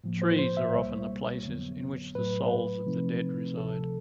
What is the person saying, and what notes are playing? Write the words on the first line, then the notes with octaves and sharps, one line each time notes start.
Trees are often the places in which the souls of the dead reside.
A2 F3 A#3
C5
C5
E5
C#2 B2 G3 A#3 C#5
F2 D3 F#3 B3
A2 F#3 A3 B4
C3 F3 A3 C4 D#4
D2 C3 F3 A4